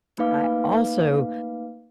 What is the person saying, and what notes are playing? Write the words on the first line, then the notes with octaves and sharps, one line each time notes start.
I also
A3 A#3 D#4 B4 F5 D6